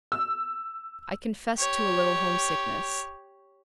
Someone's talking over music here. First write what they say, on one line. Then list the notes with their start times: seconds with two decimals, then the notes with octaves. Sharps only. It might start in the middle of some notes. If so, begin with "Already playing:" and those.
I confessed to a little homesickness.
0.12 E6
1.57 G4 C#5